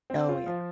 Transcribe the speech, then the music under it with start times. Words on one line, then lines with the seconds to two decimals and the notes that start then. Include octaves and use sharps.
Oh, yeah.
0.10 C4
0.29 F4
0.46 F3